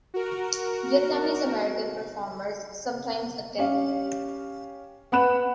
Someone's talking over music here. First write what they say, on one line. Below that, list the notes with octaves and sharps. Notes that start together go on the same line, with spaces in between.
Vietnamese-American performers sometimes attend.
F#4 A#4
C#4 G4 F5
B3 F#5 B5 F#6 E7